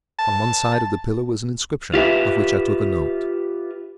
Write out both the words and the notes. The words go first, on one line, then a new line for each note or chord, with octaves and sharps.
On one side of the pillar was an inscription, of which I took a note.
A5
F4 G4 B4 E5